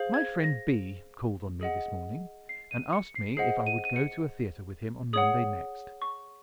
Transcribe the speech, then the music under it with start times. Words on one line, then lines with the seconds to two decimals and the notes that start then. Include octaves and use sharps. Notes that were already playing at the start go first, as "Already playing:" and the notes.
My friend B. called on me this morning and asked me if I would go to a theatre with him on Monday next.
Already playing: G#4 C5 F5
0.14 G#6
0.44 A#6
1.61 G#4 D#5 F#5
2.49 C7
2.71 D#7
2.93 C#7
3.15 C7
3.37 G#4 C5 D#5 F#5 C7
3.66 D#7
3.85 D#7
3.96 C#7
5.13 G#4 C#5 F#5 D#6
6.02 C#6